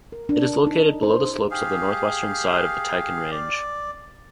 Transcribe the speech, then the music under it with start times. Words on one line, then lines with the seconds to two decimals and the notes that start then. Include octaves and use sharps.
It is located below the slopes of the northwestern side of the Taikan Range.
0.12 A#4
0.29 D4
0.67 D#4
1.03 C5
1.51 G4 G#4 F5
3.31 D5